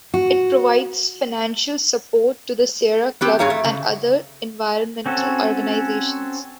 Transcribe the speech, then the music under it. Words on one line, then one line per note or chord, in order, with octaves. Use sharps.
It provides financial support to the Sierra Club and other environmental organizations.
F#4
B3 C4 G4
G2 G#4 C#5 F5 A#5
A3
C#3
C4 C#4 F#4 A4